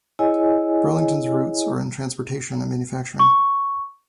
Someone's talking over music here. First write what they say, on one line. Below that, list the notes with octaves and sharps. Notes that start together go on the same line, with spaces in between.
Burlington's roots are in transportation and manufacturing.
E4 G#4 C#5 D#5 G#5
C#6